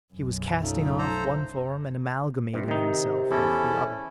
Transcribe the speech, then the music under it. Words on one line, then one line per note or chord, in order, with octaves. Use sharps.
He was casting off one form, and amalgamating himself with the other.
B1 F#2
F3 A3 C#4 D#4
A4 C5 A#5
G2 C3
D#3 D#4
E2 C#4 E4 A4